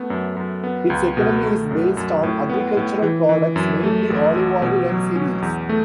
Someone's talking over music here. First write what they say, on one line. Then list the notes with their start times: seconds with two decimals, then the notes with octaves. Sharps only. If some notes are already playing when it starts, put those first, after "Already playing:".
Its economy is based on agricultural products, mainly olive oil and cereals.
Already playing: A3 B3
0.10 F#2
0.37 F#2
0.64 B3
0.90 C#2
1.17 B2
1.43 A3
1.71 F#2
1.97 F#2
2.23 A2
2.50 B3
2.77 A2
3.02 E3
3.29 E3
3.56 F#2
3.83 A3
4.10 A1
4.35 A1
4.62 B2
4.89 F#3
5.15 C#4
5.42 E2
5.69 A3